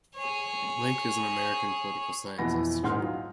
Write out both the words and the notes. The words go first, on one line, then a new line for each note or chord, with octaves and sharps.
Lake is an American political scientist.
G#4 C#5
F2 B2 E3 F#5 B5 A#6
D#1 G#2 D#4 F#5 C6 F6
F#3 F4